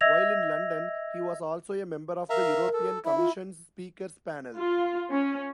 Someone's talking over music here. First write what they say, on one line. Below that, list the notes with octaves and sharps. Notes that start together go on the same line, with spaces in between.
While in London he was also a member of the European Commission's Speakers Panel.
D#5 E5 E6 G#6 A#6 F7
A#4 E5 F5 A#5
A4
E4 E5
F4
F4
C#4